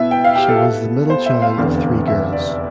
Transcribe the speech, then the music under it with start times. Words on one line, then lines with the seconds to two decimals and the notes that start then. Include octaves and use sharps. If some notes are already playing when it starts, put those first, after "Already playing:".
She was the middle child of three girls.
Already playing: B2 B3 E4 B4 E5
0.11 G5
0.24 F5
0.36 G4
0.49 A4
1.10 C5
1.26 E5
1.42 F5
1.58 F1 E2 D3
2.08 E5
2.32 D5